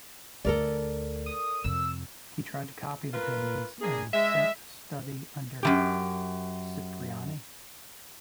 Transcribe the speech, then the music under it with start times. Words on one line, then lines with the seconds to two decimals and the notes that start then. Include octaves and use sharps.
He tried to copy the paintings, and was sent to study under Cipriani.
0.45 D2 D3 A4 A#4 D5
1.26 D#6
1.64 F2 C3 E6
3.13 F4 A#4 B4
3.81 A#3 D4 G#4
4.13 G#3 E5
5.63 F#2 E3 G4